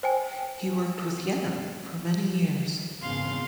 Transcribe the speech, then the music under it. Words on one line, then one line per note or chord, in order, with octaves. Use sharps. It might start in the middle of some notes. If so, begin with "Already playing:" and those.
He worked with Yener for many years.
C5 G5 G#5
G#1 E2 C#3 F5 C6